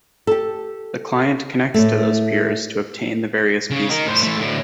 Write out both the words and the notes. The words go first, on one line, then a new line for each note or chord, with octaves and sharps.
The client connects to those peers to obtain the various pieces.
G4 A4
A2 A3
C#3
D#4 A#4
A2 C5
E3 A3
A2 D3